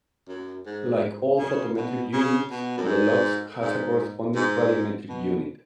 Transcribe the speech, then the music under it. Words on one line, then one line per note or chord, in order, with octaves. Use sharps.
Like all photometric units, the lux has a corresponding "radiometric" unit.
F#2
G#2
C#3
B2
C#3
B2
F#2
G#2
G#2
G#2
B2